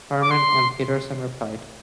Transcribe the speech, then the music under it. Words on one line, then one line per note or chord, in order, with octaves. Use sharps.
Herman and Peterson replied.
D6
C6